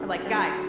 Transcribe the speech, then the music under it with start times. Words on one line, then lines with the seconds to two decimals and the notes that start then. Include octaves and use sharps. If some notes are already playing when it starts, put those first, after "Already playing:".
I'm like, "Guys,
Already playing: B2 D3
0.26 G3
0.35 D3 F#3